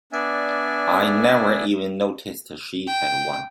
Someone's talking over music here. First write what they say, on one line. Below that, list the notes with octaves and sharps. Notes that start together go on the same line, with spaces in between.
I never even noticed she had one.
B3 D4 D5 E5 G#5
G5